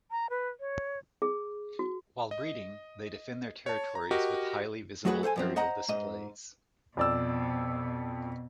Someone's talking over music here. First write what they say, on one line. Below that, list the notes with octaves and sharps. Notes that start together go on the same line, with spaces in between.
While breeding, they defend their territories with highly visible aerial displays.
A#5
B4
C#5
G#4
F#4
D#5
C#5 A5
A#5
F#4 G4 A#4 D#5
F#3 A3 F#4 G#4 B4 F#5
A4 C5 F#5 G#5
F#2 F3 C4
C5 D#5 F#5 A#5
G#2 D#5
F2 B2 D5 E6